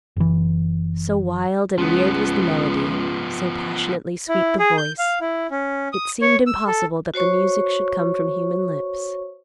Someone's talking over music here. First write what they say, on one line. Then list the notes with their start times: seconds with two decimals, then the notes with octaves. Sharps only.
So wild and weird was the melody; so passionately sweet the voice, it seemed impossible that the music should come from human lips.
0.16 F#1 E3
1.78 C#2 F3 B3
4.28 E4
4.59 G#4
4.78 G6
4.98 F5
5.21 E4
5.51 C#4
5.92 D#6
6.22 C#5
6.47 E6
6.67 A4
7.14 F#4 C5 C#5 C#6